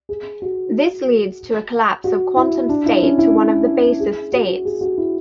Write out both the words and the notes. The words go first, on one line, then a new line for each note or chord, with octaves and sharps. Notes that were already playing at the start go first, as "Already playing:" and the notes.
This leads to a collapse of quantum state to one of the basis states.
G#4
F#4
F#4
E4
D4
E4
C#4
E4
G#4
F#4
G#4
F#4
E4